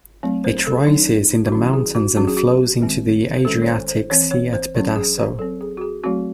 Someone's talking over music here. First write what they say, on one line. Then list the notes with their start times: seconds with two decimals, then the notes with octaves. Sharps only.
It rises in the mountains and flows into the Adriatic Sea at Pedaso.
0.23 F#3 A3 C4
0.44 C5
0.66 A4
0.87 F#3 C#4 D#4
1.46 F#4
1.52 D#3 F#3 C#4 E4
1.73 G#4
1.95 F#4
2.16 F#3 C#4 F#4
2.27 G#4
2.37 F#4
2.80 D#3 G#3 C4
3.37 C5
3.45 D#3 G#3 C#4 A4
3.62 C#5
3.67 C5
3.89 C5
4.10 E3 C4 C#5
4.31 C#5
4.53 C5
4.75 F#3 C#4
4.96 G#4
5.18 C5
5.39 F#3 A4
5.42 C4
5.61 G#4
5.77 F#4
5.81 G#4
6.04 F#3 A3 C4 F#4